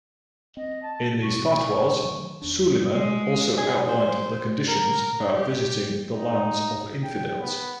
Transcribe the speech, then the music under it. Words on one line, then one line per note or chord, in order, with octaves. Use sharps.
In these fatwas Suleiman also outlined the conditions about visiting the lands of infidels.
C4 D#5
A5
B2 G3 C4 C#6
D#3 F#3 A3
E2 D4
G#3
G#4
C5
A#4
G4
D#4
G5
B3